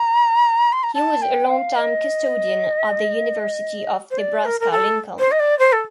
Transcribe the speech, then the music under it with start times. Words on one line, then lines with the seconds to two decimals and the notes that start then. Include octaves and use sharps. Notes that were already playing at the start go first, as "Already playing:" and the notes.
He was a long-time custodian at the University of Nebraska-Lincoln.
Already playing: A#5
0.72 C6
0.83 A#5
0.94 A5
1.22 G5
1.49 F5
1.76 D#5
4.10 C5
4.18 D5
4.45 A#4
4.60 A#4
4.71 A4
5.19 C5
5.31 D#5
5.39 D5
5.59 C5
5.72 A4